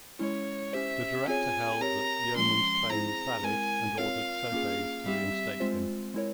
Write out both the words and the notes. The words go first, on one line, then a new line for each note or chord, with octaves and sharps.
The Director held that Yeoman's claim was valid and ordered Sobeys to reinstate him.
G#3 C#4 E4 C#5
C#4 G4 C5 E5
C4 F4 G#4 C#5 G#5
C4 G4 A#4 C#5 A#5
F3 G#3 C#4 C6
C4 E4 G#4 C5 A#5
G#3 C4 E4 A#4 G#5
C4 F4 A#4 C#5 F5
A#3 C#4 F4 G#4
G3 C4 G4 E5
G#3 C4 F4 C5
G#3 E4 A#4 C#5